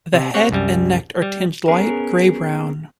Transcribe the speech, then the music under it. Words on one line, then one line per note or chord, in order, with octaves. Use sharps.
The head and neck are tinged light grey-brown.
C3
C4 G4 C#5 F#5
C2 F#2 G3
G3
B3 C#4 G#4 A#4